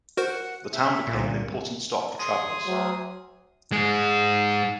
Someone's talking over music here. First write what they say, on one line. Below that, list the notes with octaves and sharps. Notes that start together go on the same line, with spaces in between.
The town became an important stop for travellers.
F#4 A#4 C5 F#5
E5
C2 A#2 D3
G#4 C6 D#6
D2 F#3 C5
G#2 G#3